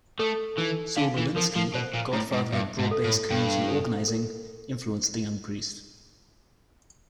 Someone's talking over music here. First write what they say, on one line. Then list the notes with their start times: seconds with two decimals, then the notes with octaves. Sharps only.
Saul Alinsky, godfather of broad-based community organizing, influenced the young priest.
0.19 A3 A4
0.58 E3 D#4
0.97 D3 F5
1.17 E3
1.36 F3 A#4
1.55 F3
1.74 B2 C5
1.94 A#2
2.13 A2 E4
2.33 G#2
2.53 G2 E5
2.79 G#2
2.91 A4
3.04 A2
3.30 G2 G5
3.69 A4
4.08 A#4